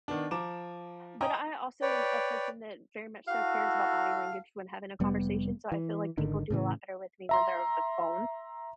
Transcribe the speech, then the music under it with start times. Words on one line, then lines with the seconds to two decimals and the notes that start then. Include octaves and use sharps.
but I also am a person that very much so cares about body language when having a conversation, so I feel like people do a lot better with me when they're over the phone
0.08 D#3 B3 D4
0.31 F3 A#5 D6 E7
1.21 D#5 G5 G#5 A#5 D#6
1.82 B4 C#5 D5 G5
3.28 E4 F#4 A4 F5
5.00 F1 G3 B3
5.72 E3
6.18 G#1 D3 D#3
6.50 A2 C#3 E3
7.29 E5 A#5 C6